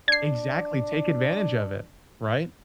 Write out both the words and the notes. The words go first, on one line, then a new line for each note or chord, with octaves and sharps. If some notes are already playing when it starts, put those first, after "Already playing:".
Exactly, take advantage of it, right?
D4 G#6 C7